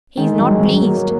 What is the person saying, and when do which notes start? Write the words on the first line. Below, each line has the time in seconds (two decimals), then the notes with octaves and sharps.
He's not pleased.'
0.17 D#3 G#3
0.39 F#3
0.60 F#3
0.81 F#3 A#3
0.97 A#3